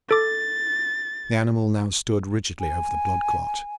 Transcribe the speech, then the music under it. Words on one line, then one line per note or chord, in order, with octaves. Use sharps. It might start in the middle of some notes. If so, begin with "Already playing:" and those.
The animal now stood rigidly over the blood clot.
A4 D6 A6
G#5